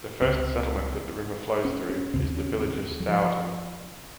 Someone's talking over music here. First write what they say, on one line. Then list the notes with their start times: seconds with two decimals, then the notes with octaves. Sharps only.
The first settlement that the river flows through is the village of Stourton.
0.21 C#2 C3 C4
1.65 C#4
1.89 C#4
2.14 D#2 C#3 C4
2.36 C#4
2.61 C4
3.00 F#3
3.09 F3